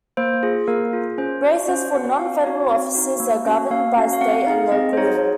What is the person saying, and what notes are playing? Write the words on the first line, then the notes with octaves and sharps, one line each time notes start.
Races for non-federal offices are governed by state and local law.
A#3 C5
F4 G#4
A#3 A#4
F4 G#4
C#4 C5
F#4
C#4 C5
F#4 F#5
C4 F5
D#4 F#4 C#5
C4
D#4 F#4
A#3
C#4 F#4
A#3 F5
C#4 F#4
F5
C4 F#5
D#4 G#4 F5
C4 D#5
C5
D#4 G#4 C#5